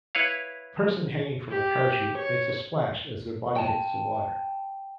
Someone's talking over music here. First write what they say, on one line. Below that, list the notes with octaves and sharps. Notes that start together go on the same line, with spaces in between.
A person hanging from a parachute makes a splash as their body hits the water.
E4 B4 C#5 F5
G4
C#5
G5 A5